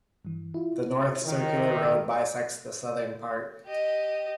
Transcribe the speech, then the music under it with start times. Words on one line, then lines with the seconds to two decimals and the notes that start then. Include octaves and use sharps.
The North Circular Road bisects the southern part.
0.25 G2 E3
0.54 E4 F4
1.25 D#3
1.78 G4 A4 E5
3.67 G4 D#5